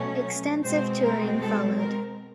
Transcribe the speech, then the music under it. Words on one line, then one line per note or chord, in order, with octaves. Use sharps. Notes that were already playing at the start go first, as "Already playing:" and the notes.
Extensive touring followed.
Already playing: B2 F#3 A3 C#4
B2 G#3 C4 C5
A#4
A4
A#4